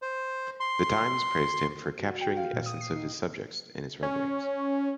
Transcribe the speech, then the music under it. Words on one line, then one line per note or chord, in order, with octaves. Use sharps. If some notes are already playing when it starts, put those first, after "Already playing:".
"The Times" praised him for "capturing the essence of his subjects" in his renderings.
C5
C6
F#4
G5
F5
A#2
D#6
C7
D#4
C#4